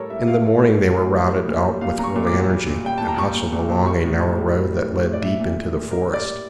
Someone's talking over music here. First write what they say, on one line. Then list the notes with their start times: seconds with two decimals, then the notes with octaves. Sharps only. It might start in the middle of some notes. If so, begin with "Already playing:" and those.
In the morning they were routed out with early energy, and hustled along a narrow road that led deep into the forest.
Already playing: A2 G3 A4 A#4 C#5
0.10 G3 E5
0.27 A2 F5
0.45 A2
0.62 G3
0.80 G3
0.96 A2
1.13 G3
1.30 G3
1.48 A#2
1.64 G3
1.81 A#2 F5
1.99 A#2 A#5
2.04 C#6
2.16 A#2
2.27 D6
2.33 A#2
2.50 G3
2.67 A#2
2.84 G3 G5
2.98 A#2 A5
3.08 A#5
3.18 G3 C#6
3.35 A#2
3.52 A#2
3.69 A#2
3.86 G3 C#6
4.03 A2
4.20 A2
4.37 G3
4.54 G3
4.71 A2
4.88 G3
5.06 A2
5.13 D5
5.22 G3 E5
5.40 A#2
5.56 A#2
5.74 A#2
5.91 G3 A#4
6.07 G3
6.14 D5
6.25 G3